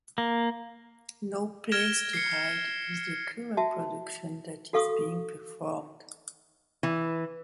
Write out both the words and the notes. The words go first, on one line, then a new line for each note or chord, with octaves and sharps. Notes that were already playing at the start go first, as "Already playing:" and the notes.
"No Place to Hide" is the current production that is being performed.
A#3
F6 G#6 A#6 D7 E7 G7
C7 C#7
F#4 E5 A5
F#4 A4 F5 C#6 D#6
E3